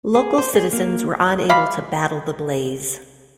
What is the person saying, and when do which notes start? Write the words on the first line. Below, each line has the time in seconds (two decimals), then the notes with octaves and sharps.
Local citizens were unable to battle the blaze.
0.15 G#4
0.38 C5
0.55 G#4
0.73 A#3
1.49 G#3 D5 F5 B5